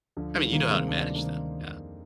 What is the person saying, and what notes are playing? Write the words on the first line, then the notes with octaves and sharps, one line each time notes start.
I mean, you know how to manage them, yeah.
D2 D3 F3
D#3 G3
C3 D#3 G3 A#3
G#3 C4
D2 D4
D#4
A#3 D4
C3 D#3
F2